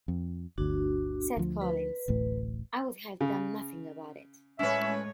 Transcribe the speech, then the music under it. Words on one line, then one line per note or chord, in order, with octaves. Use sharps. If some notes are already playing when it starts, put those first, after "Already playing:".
Said Collins: I would have done nothing about it.
F2
G1 D2 D4 F#4
D2 F3
B4
D1 A1 A2
C#3
A2 G#3 C#4 B4 C#5 E5